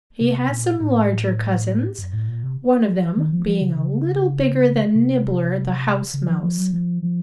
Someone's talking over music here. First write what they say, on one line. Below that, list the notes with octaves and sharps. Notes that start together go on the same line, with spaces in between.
He has some larger cousins, one of them being a little bigger than Nibbler the House Mouse.
C3
A#2
A2
F#2
A2
A#2
C3
D#3
F3
F3
C#3
C#3
C3
C#3
F3
F3
F#3
F3
F3